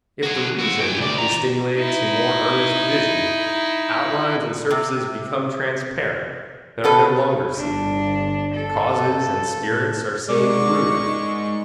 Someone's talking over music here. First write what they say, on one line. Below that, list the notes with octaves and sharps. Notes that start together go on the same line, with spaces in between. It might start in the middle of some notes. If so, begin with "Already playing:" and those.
If the Reason be stimulated to more earnest vision, outlines and surfaces become transparent, and are no longer seen; causes and spirits are seen through them.
F#4 G#4
E4 F#4
G#4 G5
D2 D5
D#3 A#5
D#4 E4
C3
F#4 A4 B4
G1 D4
A4
C#3
A2
G#2 G#3 G#4 A#4 D5 C#6 D6